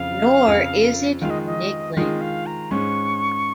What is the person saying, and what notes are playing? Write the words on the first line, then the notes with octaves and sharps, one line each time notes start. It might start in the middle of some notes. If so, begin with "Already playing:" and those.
Nor is it niggling.
Already playing: F2 C#3 F3 F5
F2 C#3 F3
D#3 G#3 F4 F5
D#5
D#5
D#3 G#3 F4 D#5
F5
A#5
G#2 G#3 C#4 C#6